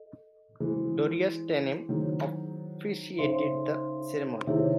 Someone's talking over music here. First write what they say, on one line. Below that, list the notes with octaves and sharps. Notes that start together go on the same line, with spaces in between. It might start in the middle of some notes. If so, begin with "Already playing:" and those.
Gloria Steinem officiated the ceremony.
Already playing: A4 D#5
E3 G#3 F#4 A4 C5
D#3 F#3 E4 G#4 C5
C#3 D#4 A4 C5 E5 C6
C3 D#3 E4 G#4 C#5 E5